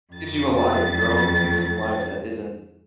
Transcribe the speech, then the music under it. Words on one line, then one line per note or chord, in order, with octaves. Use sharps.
gives you a life, your own unique life that isn't
F2 A6